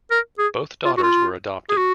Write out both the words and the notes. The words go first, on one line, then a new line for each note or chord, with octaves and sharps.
Both daughters were adopted.
A#4
G#4
F4
F#4
F4
G#4
F#4